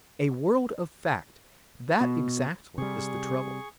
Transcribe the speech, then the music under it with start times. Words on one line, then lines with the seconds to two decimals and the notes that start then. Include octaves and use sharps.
"A world" of fact!--that exactly is the trouble.
2.01 B2
2.78 C3 G3 G#4 C#6